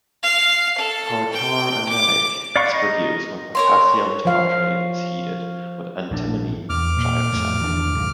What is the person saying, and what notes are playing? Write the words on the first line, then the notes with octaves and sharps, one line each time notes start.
Tartar emetic is produced when potassium tartrate is heated with antimony trioxide.
F5
A4
G5
D6
D5 F5 F#5 B5 C#6
D#4 D#5
A#4 C#5 C6
F3 F5
A#1 G#2 D4
E2 D6 F6
A#2
F2 A2
E2 D#3 D4
C#2 G2 A#2